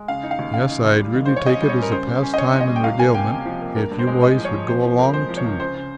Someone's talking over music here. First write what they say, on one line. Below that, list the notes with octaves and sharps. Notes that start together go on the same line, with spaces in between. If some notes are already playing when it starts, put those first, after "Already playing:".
Yes, I'd really take it as a pastime and regalement if you boys would go along too.'
Already playing: G#3
C#3 F5
D#4
F5
D#2
C#3 F5
D#4
D#2
G3
D#3
C5
G3
C#5
C#4 D#5
G3
C#5
C#4
A#4
C#3 C5
G3
C#4
D#5
C#4 C#5
C#3
D#5
G3
G5
C#2 F5
A#3 G#5
C3 G5
C3
F3
A#3
G2 A#4
G2
C5
G#3
G2 D#5
F3
C#5
F3
C3 C5
F3
C3 A#4
G#3 C5
F3
C#5
C#2
C#3 C5
C#3